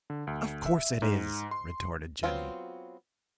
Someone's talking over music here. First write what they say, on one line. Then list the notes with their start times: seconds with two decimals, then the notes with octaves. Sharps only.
"Of course it is," retorted Jenny.
0.10 D3
0.27 D2
0.66 E5
1.02 G#2
1.51 C6
2.23 F#3 B3 C4 F4 F#4